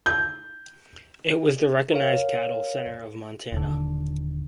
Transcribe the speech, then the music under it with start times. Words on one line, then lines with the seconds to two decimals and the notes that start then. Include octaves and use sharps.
It was the recognized cattle centre of Montana.
0.06 G6
1.92 A#4 C#5 F5
3.52 D#1 D3